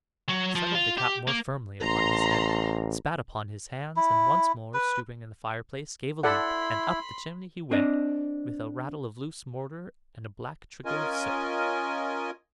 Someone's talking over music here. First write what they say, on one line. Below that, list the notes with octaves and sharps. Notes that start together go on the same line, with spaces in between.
He settled the cap more firmly upon his head, spat upon his hands, and once more stooping in the fireplace, gave a leap, and up the chimney he went with a rattle of loose mortar and a black trickle of soot.
F#3
F3
F4
G4
A#3
A1 A#5 C6
E4
B4
E4 A4 D5 F#5 B5 C6
C4 D4 D#5
C#4 F4 A#4 D#5 G#5